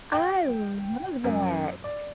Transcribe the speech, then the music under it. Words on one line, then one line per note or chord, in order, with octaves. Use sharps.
I love that.
G5
F#2
D5